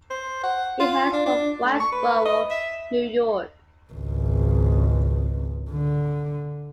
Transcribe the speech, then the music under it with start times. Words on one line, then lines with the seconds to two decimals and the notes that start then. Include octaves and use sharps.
He hails from Whitesboro, New York.
0.10 C5
0.43 F#5
0.80 F4
1.13 D4
1.26 D4
1.64 A3
1.80 C#6
1.92 B4
2.26 D#5
2.50 E5
3.92 G#1 C#2
5.70 D3